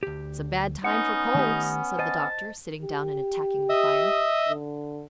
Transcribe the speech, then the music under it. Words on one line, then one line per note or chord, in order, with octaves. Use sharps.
"It's a bad time for colds," said the doctor, sitting down and attacking the fire.
D2 G4
B3 C#4 D#4 F#5
D#3 A3 G4
C5 D#5 A5
G4
D#5 E5 D#6
D3